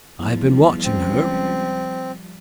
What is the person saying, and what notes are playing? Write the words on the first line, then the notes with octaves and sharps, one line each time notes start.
I have been watching her.
E2 F3 G3
C#2 C4